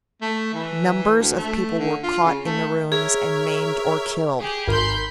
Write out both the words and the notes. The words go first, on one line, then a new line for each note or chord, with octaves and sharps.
Numbers of people were caught in the ruins and maimed or killed.
A3
E3
D2
A3
D3
F4
C#3
A3
G#4 A#4 C#5 E5
G4 G#4
G#1 A#4 B5 C6 G6